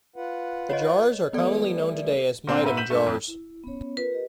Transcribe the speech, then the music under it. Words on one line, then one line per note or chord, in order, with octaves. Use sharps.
The jars are commonly known today as Maitum jars.
F4 B4 F#5
C#5 D#5
E3 G3 A3 B3 A4 D5
A#2 D3 C4 D4
G#2 B4 E5 D#7
G6 B6 D#7 E7 F#7
G2 A3
F2
E4
B3 C#4 C#5
F4 A#4 B4
G4 D#5